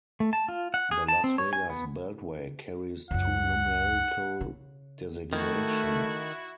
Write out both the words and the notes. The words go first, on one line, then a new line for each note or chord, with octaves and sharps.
The Las Vegas Beltway carries two numerical designations.
A3
A5
F4
F#5
G#4
A5
C4
C#5
G#5
B3
C#2 F#2 F#5
C#3
D#3 A3 E4 F#4